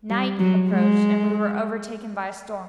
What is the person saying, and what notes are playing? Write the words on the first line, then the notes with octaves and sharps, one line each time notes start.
Night approached, and we were overtaken by a storm.
G3
F#3
G#3